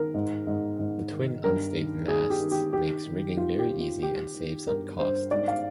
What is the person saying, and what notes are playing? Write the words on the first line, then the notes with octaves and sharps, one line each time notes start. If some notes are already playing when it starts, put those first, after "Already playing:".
The twin unstayed masts makes rigging very easy and saves on cost.
Already playing: D#3 A#4
G#2
G#2
G#2
D#3
G2 A#4
D#3
D#3 G#4
G4
D#3
G4
D#3 G4
D#3
D#3 F4
G4
D#3
F4
D#3 G4
D#3
G2 A#4
G2 C5
G#2 D5
F5